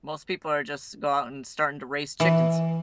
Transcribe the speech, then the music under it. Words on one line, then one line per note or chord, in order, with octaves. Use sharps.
Most people are just go out and starting to raise chickens.
E3